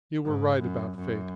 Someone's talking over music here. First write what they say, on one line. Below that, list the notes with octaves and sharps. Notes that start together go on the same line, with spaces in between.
You were right about Fate.
G#2
F#2
F#2